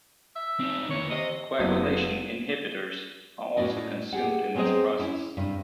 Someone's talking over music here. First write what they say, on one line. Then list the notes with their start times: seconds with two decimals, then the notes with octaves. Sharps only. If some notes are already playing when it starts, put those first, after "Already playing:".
Coagulation inhibitors are also consumed in this process.
0.36 E5
0.60 C4 D#4
0.90 D#2 E3 C#5
1.11 C3 D#5
1.59 F#1 F#3 A3 B3 E4 D#5
3.57 A2 C#4 F#4 D5 D#5
4.13 G4 G#4 F#5
4.55 F#3 G#3 B3 C4 G#4 D#5
4.99 C#4 E4
5.37 G2 C3